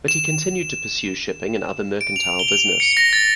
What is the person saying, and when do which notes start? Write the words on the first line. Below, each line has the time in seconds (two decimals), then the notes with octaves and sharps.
But he continued to pursue shipping and other mercantile business.
0.08 E7
2.01 D7
2.16 F7
2.39 G7
2.48 F7
2.80 C#7
2.97 A#6
3.13 A6